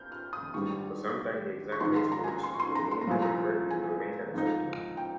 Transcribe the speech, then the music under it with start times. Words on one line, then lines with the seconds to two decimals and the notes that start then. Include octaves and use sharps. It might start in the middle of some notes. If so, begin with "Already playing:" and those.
For some time, the exact place to which the name referred remained uncertain.
Already playing: F6 G6
0.12 F6
0.33 D#6
0.54 G#1 G2 G3 C#6
1.72 C#6
1.80 A#1 G#2 D#3 C6
1.96 C6
2.12 A#5
2.24 G#5
2.28 A#5
2.43 C6
2.53 C#6
2.60 C6
2.75 A#5
2.91 C6
3.01 A#5
3.07 C2 A#2 F3 G#5
3.22 A#5
3.70 G#5
4.34 G#2 F3 C4 D#4
4.97 G5